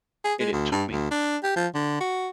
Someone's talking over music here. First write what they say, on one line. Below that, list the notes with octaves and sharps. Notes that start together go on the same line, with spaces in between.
And it took me
G#4
G#3
D2
G2
D2
D4
G4
F3
D3
F#4